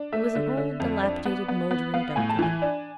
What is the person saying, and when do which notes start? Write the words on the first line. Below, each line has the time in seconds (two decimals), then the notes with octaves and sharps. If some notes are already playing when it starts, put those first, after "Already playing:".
It was an old, dilapidated, mouldering dovecot.
Already playing: D4
0.12 A3 E5
0.35 D3
0.57 D3
0.80 F2
1.03 D4
1.25 B3
1.48 B3
1.71 B3
1.94 B3 F5
2.16 A2 G#5
2.29 A5
2.39 E3 G#5
2.62 D4